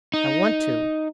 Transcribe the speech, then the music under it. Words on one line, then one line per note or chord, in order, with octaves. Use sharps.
"I want to."
D#4